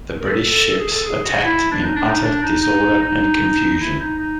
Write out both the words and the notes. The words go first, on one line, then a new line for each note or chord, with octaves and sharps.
The British ships attacked in utter disorder and confusion.
A#4
A4
A4
A4
A4
G#4
A4
G#4
F#4
E4
D4
D#4
D4
D#4
D4
D#4
D#4
D#4
D#4
E4
D#4
D#4